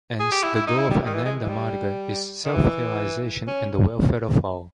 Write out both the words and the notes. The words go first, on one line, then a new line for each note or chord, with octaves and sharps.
Hence, the goal of "Ananda Marga" is "self-realization and the welfare of all".
G#4
G4
E4
E4
D#4
E4
G3
D#3
E3
G#3
E3
G3
D#3
E3
C#4